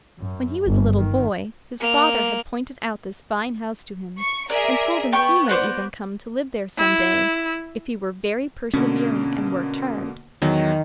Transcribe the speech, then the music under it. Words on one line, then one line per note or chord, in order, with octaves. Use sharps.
When he was a little boy his father had pointed out this fine house to him, and told him he might even come to live there some day, if he were very persevering and worked hard.
F#2
G1
D#3
A#3 F7
C#6 C#7
G#4 A#4 D5 E5
B3 G5 C#6
F#4 C5 D5
E4
B2 D3 A#3 C#4
E2 D#3 F#3